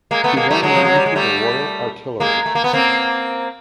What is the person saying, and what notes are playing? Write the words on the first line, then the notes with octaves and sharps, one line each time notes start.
He then went into the Royal Artillery.
G#3 A#3
A3 B3
G#3 A#3
G3 A3
F#3 G#3
F3
F#3
G3
G#3
G3 A3
G#3 A#3
A3
A#3
B3
A#3 C4